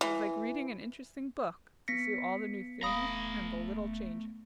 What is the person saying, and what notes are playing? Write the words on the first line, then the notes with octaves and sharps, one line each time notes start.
It was like reading an interesting book to see all the new things, and the little changes.
E3
B3 A#6 B6 C#7
D#1 A3 F5 A#5 B5 D#6